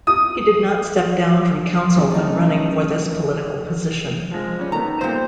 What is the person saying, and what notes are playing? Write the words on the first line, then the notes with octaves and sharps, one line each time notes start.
He did not step down from council when running for this political position.
D#6
A1 G#2 F#3
C2 A3 D#4
C#3
F3 G#3
G3 C#4
D#3 A3 B3 A#5
A#2 G3 C5